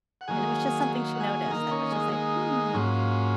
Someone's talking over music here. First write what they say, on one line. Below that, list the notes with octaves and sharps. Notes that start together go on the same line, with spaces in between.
and it was just something she noticed that was just like, "Hmm,"
F#5
D#3 F#3 A#3 G#4 G#5
F#5
G#4 G#5
D#3 A#3 D#4 A#4 A#5
C#4 C#5
G#3 G#4
G#3 G#4
G#2 F#3 A#3 C#4 F4